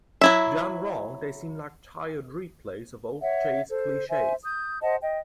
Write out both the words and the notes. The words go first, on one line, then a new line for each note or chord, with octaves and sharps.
Done wrong, they seem like tired replays of old chase cliches.
F#3 E4 E5
C#5 E5 F#5
A4 C5
C5 E5 G#5
D#6 G6
C5 D#5 F#5 A5
D#5 G5